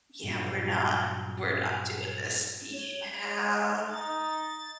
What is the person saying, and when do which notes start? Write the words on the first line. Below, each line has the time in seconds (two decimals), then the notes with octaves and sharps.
"Yeah, we're not we're not doing this." Yeah.
0.23 G2 A#2 F#3 F#4
2.73 C#5
3.90 D#4 A6